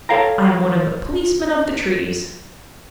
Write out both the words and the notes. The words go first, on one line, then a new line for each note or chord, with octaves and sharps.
I am one of the policemen of the trees.
A4 C#5 F5 G5 A#5